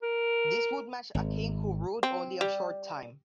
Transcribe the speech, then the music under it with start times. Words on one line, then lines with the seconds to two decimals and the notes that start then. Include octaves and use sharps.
This would match a king who ruled only a short time.
0.03 A#4
1.15 G#1
2.03 C4
2.41 G3